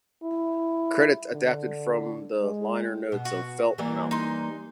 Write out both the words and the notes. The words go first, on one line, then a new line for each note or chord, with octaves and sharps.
Credits adapted from the liner notes of "Felt Mountain".
E4
D3
G#3
B2
F#4
E3 G3 A#3
D#4 C6